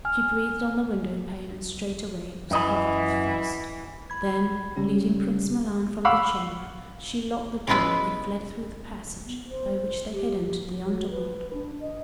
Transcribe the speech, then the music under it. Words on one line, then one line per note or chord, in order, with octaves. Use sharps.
She breathed on the window-pane, and straightway it was covered with frost; then, leading Prince Milan from the chamber, she locked the door, and they fled through the passage by which they had entered the Underworld.
G#5 F6
F#2 E3 D#5 B5
B5 G#6
C#3 G3 C#4 G4
F5 F#5 B5 C#6 D6 E6
C#3 G#3 B3 E4 B4
B3
C5
G4
F#3
B4
D4
D#5